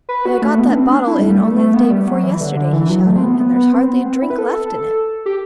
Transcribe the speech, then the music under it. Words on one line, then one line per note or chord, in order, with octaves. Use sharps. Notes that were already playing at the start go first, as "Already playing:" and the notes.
"But I got that bottle in only the day before yesterday," he shouted, "and there's hardly a drink left in it."
B4
F#4
A3
B3
D4
C4
D4
E4
G3
G3
A3
A3
B3
G3
F#3
E3
D3
D3
E3
F#3
A3
C4
B3
B3
B3
C4
B3
C4
E4
B4
A4
G4